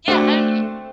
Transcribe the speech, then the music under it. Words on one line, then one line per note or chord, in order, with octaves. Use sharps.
Yeah, and
A3 C4 D4 F#4